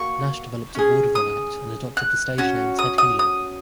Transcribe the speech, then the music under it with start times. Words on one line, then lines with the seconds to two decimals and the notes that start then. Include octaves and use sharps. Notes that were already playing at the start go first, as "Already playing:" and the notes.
Nash developed a vaudeville act and adopted the stage name Ted Healy.
Already playing: A#3 F#4 C#6
0.75 C#4 G#4
1.15 D#6
1.97 F#6
2.38 C#4 F#4
2.79 D#6
2.98 D#6
3.19 D#6